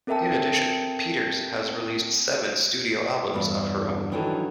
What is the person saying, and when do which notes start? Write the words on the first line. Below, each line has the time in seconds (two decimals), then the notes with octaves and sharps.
In addition, Peters has released seven studio albums of her own.
0.07 C4 A4 A#4 E5 G5 A5
3.34 E2 G2
4.12 D#3 E3 F#3 D4 D#4 A4